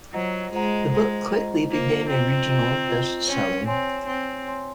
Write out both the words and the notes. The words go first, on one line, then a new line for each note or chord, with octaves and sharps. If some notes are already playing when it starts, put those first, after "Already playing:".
The book quickly became a regional bestseller.
F#3 F4 C5 D#5 F#5 A#5
G#3 F4 C5 D#5 F#5 A#5
G#3 F4 C5 D#5 F#5 A#5
F4 C5 D#5 F#5 A#5
A#3 F4 C5 D#5 A#5
C4 F4 C5 D#5 A#5
F4 C5 D#5 A#5
F4 C5 D#5 A#5
C#4 C#5 G#5 C6
C4 C#5 G#5 C6
C4 C#5 G#5 C6
C#5 G#5 C6